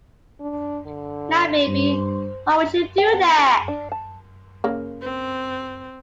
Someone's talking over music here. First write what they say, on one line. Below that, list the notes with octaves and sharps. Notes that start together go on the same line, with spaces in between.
Now, baby, why would you do that?
D4
D3
G2 C5
G5
B3
G#4
D4
A5
C#3 A#3
C4